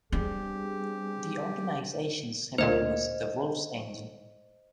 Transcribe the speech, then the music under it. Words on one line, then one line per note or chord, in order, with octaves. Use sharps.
The organisation's symbol was the "Wolfsangel".
G3 B3 C4 D4 G4 G#4
D2 A#2 C5 D#5